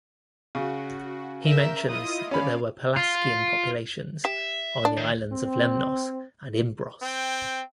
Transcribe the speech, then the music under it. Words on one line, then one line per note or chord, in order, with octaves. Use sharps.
He mentions that there were Pelasgian populations on the islands of Lemnos and Imbros.
C#3 F#4
A#4 E5 G6
E4 F4 D#5 D#6
C#4 D5 F5 B5
F4
G4 E5
D4
D#3
C4
C4 G5